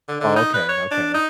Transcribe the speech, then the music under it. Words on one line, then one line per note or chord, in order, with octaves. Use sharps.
Oh, okay, okay.
D3
D3
D#4
B4
C#5
D4
D#4